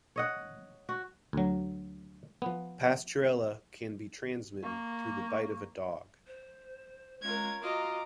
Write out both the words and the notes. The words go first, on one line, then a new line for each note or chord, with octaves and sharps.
Pasturella can be transmitted through the bite of a dog.
C#5 D#5 F#5
F#4
D2 F#3
F3 B3
A#3 C#6
C5
G#3 C#4 F4 A#4 G#6
F4 F#4 D#5 A#5 D6